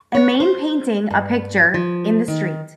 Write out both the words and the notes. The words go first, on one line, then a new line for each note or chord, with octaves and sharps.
A main painting a picture in the street.
C#5
C5
G2
F3
D#3